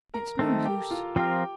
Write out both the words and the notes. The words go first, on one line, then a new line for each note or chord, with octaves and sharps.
It's no use.
A#4 A#5
D#3 A3 C4 A4 A5
G4 G5
F4 F5
F3 C4 F4 G4 A#4 G5